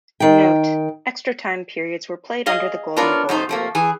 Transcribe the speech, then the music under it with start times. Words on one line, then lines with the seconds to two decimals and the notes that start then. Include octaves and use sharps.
Note: Extra time periods were played under the golden goal rule.
0.20 D#3 G5
2.46 G#4 D#5 F5
2.96 B3 D4 F4 A#4 C#5
3.29 F#2 A3 D#4 C5
3.49 F3 A3 A#3
3.75 E3 G#4